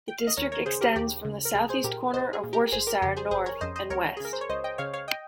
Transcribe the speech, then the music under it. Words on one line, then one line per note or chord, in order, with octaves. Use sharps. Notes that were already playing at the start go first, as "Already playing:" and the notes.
The district extends from the south-east corner of Worcestershire north and west.
G5
F5
D#5
D#2 A#4 C#5
A#4 C#5
C#3 G#4 C5
G4 A#4
D#2 G4
C#3
A#4
C2 G#4
G#4 C5
A#2 G4 A#4
C2 C5 D#5
G#4
A#2
G4 A#4
A#4
G1 G#4 C5
G4 A#4
F2 C#3 G4
G#4 C5
G1 G#4 C5
A#4 C#5
F2 C#3 C5 D#5
C5 D#5
C#2 A#4 C#5
G#4
C#3 A#4
C5
C#5
C#2 C5 D#5
D#5 G5
C#3 C#5 F5
C#5 F5
D#5 G5